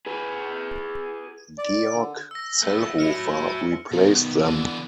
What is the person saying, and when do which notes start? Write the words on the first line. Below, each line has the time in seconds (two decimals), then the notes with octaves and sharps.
Georg Zellhofer replaced them.
0.06 G#4 B4
1.58 D5
1.94 D3
2.31 E6 A#6
2.63 A3 B3
2.99 F#3 A3 E4 F6 C#7
3.92 B2 D#3 B3
4.38 D3 E3